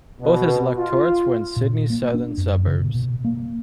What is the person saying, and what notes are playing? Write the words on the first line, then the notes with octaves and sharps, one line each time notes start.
Both his electorates were in Sydney's southern suburbs.
B2
F4
A#2
A#3
D4
F#2
C#3
A#2
B2
A#3